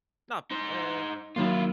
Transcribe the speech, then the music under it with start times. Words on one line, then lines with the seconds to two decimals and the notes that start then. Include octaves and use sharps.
not eh
0.51 D#4 C5
1.36 D#3 F#3 A#3 E4 F4